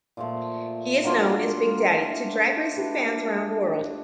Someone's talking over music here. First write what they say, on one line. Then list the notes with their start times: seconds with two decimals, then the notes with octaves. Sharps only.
He is known as "Big Daddy" to drag racing fans around the world.
0.17 A#2 F3 A3
1.04 F#3 A#3 D4 F4
1.90 A3 D4 F4 A#4
2.76 A3 D4 G4 B4
3.63 A3 D4 G4 B4